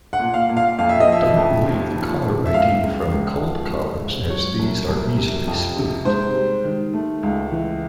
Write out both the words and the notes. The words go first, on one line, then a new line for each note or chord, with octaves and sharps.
Don't believe the caller id from cold callers as these are easily spoofed.
F#5
A#2
F5
A#2
F5
F2 F5
E5
D#5
F3 E5
F2
D#2
F3
C#3
E5
C#2 F5
C#2
C#2
F3
C3
C#2
F#3 C#5
C2
C2
C3
F2
C3
G#2 C5
G3
D#3
A3
C#2
E3